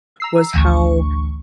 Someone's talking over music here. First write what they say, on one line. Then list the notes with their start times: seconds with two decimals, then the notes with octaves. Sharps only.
was how,
0.20 A#5 E6 C7
0.54 A1 D2 C#6